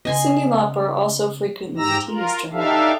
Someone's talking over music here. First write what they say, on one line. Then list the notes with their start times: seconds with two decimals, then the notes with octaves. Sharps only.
Cyndi Lauper also frequently "teased" her hair.
0.05 C#3 B3 D#5 G#5 C6
1.77 G#2 G4 A#5 E6 A#6
2.08 F4 A#4
2.52 D4 D#4 G4 A4 E5 F5